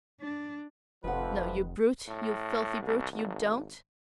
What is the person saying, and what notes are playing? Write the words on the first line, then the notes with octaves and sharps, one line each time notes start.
No, you brute, you filthy brute, you don't!
D4
F1 F2 C3 D#3 F3 B4 F#5
A2
C2
G#1